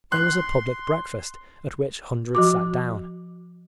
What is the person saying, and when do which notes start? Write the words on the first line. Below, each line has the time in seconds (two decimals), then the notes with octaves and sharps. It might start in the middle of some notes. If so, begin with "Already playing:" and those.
There was a public breakfast, at which hundreds sat down.
0.12 C6 F#6
2.35 F3 F#4 D6